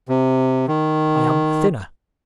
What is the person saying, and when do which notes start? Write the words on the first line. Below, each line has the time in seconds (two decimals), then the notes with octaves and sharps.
I am thinner.
0.09 C3
0.68 D#3